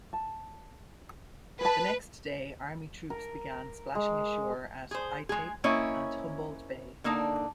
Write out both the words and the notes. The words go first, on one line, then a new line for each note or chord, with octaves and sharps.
The next day, Army troops began splashing ashore at Aitape and Humboldt Bay.
A5
G#4 B4 A5
A#4
G#3
G#4 C5
G#3 G#4
A#3 C4 C#4 E4 C#5 D#5
D3 A#3 D4 D#4